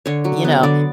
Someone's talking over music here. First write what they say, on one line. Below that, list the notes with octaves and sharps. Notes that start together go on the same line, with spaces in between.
you know,
D3 C#5
F#3
B3
D3 D5